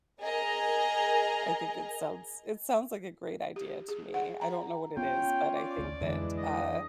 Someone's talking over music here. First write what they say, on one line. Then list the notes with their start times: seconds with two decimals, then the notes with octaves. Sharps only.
I think it sounds it sounds like a great idea to me, I don't know what it is, but I think that, uh,
0.21 G#4 A#4 D#5 G#5 A#5
3.56 G4
3.88 G#4
4.14 F#5
4.41 A#5
4.97 B3 C#4 F4 G5
5.55 D5
5.78 D2
6.01 F2 D3 E3 G#3 C4 D4
6.38 D#5